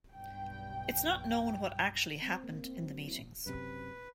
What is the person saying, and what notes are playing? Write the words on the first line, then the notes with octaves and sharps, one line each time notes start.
It's not known what actually happened in the meetings.
B1 G2 G5
C4
A#3
C4
F#3
E4
F#2 C3 B4